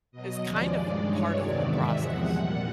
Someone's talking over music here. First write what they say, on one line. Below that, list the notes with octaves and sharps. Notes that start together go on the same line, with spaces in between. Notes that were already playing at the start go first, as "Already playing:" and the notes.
is kind of a part of the whole process.
B2 F#3 D#5
D#2 C#3 F3 G#3 D5
G2 D#3 G#3
G2 E3 G#3 C#5
E2 C3 D#3 F#3 D5
G#2 D#3 G#3 E5
E2 C3 F3 G#3 F#5
A#2 G3